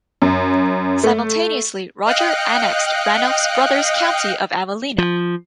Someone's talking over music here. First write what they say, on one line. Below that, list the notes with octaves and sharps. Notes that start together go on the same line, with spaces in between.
Simultaneously, Roger annexed Ranulf's brother's County of Avellino.
F#2
A3
D#5 F5 G5 F#6 C#7
F3